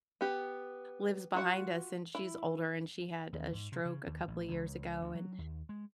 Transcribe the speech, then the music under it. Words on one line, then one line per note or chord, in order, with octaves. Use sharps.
lives behind us, and she's older, and she had a stroke a couple years ago, and,
B3 G4
F4 F#4 F#5
E4
D#2
G#2
C3
C#3
D#2
A1
C#2
C#2
D2
F#3
D#2
G#3